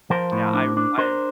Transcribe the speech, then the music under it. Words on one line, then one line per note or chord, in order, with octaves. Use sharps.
Yeah, I r I
F3 A#4 C5
A2
D4
D4
D4 A#4 C5